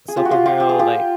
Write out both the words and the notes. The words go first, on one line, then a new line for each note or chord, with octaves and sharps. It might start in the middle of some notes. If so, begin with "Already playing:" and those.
superhero, like,
G#4
F4 G4
F#4
F4 G4
F4 G4
G4
G#4
F4 G4